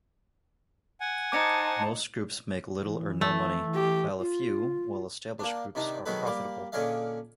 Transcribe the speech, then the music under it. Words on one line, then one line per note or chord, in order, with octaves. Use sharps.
Most groups make little or no money, while a few, well-established groups are profitable.
F#5 G#5
D#4 C5 A5 D6 G#6 C#7
E3
A3
G4
F4
A#3 D4
C3 D#3 D4 D#4
B2 D#3 F#3 G#3 A4 B4
G3 A#3 D6
A#2 D3 C#4 G#4 D#5 F5